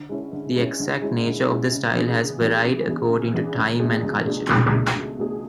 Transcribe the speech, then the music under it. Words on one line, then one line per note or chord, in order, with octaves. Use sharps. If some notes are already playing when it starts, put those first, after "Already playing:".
The exact nature of the style has varied according to time and culture.
Already playing: D3
G#3 C#4 E4
D3
G#3 C#4 E4
D3
G#3 C#4 E4
D3
G#3 C#4 E4
C#3
E3 B3 D4 G#4
C#3
E3 B3 D4 G#4
C#3
E3 B3 D4 G#4
C#3
E3 B3 D4 G#4
C#2
B2 A3 D4 G#4
C#2
B2 A3 D4 G#4
C#2
B2 A3 D4 G#4
C#2
B2 A3 D4 G#4